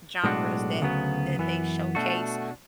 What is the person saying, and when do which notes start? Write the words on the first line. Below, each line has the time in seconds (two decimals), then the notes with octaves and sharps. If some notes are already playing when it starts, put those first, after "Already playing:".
genres that that they showcase,
0.24 B1 A2 G#3 D4 F#4
0.81 D2 C#3 F#3 B3
1.38 F#2 E3 B3
1.95 B2 A3 D4 F#4